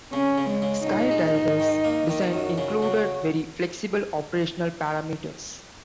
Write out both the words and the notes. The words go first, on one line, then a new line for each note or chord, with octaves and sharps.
Skydiver's design included very flexible operational parameters.
C#3 C#4
C#3
G#3
C#3
A#1 D#4
G#3
G#2
D#3
A#3
D#3
F#2 F#4
C#3
F#4
C#3